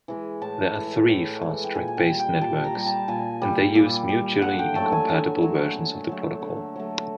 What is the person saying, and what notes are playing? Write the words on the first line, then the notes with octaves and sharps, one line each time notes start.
There are three FastTrack-based networks, and they use mutually incompatible versions of the protocol.
E3 G#3
A2 A5
E3 G#3
A2
E3 G#3
G5
A#2 G#5
G#5
G5
G3
G5
A#2 A5
A#5
G3
A5
A#2 G#5
G3
A#2
G3
D3 F#5
G5
F#3 A3 A5
G#5
D3 G#5
F#3 A3
D3
F#3 A3
D3
F#3 A3